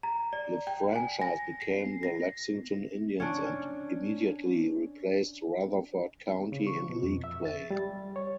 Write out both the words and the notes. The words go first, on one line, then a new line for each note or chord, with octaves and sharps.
The franchise became the Lexington Indians and immediately replaced Rutherford County in league play.
A#5
D5
G5
G#5
A#6
C7
A#6
C#4 D4
C#3
C#6
B2
F2
E5
A6
G3
C#5